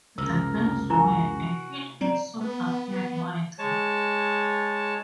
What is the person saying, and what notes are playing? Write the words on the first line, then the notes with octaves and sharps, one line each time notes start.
The bears were a hit and soon appeared widely.
C#2 F#2 C3 A#4
E4 F#4 A#4 G#5 A#5
C4 D5 A#5
B3
G#3 C#5 A5